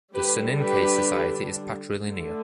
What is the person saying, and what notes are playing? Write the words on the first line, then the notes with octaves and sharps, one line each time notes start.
The Soninke society is patrilinear.
D3 G3 D4 G4 B4
G4 B4
D3 A3 D4